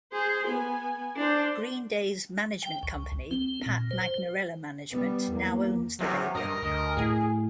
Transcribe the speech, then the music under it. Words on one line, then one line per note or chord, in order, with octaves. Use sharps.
Green Day's management company, Pat Magnarella Management, now owns the label.
G#4 C5
B3 G#5
D4 C5
G5
C#2
C4
A#2
C5
G3 B3
E2 A#3
E2 A2 C3 F#3
G2 A#4 D#5
D2
A2 G#4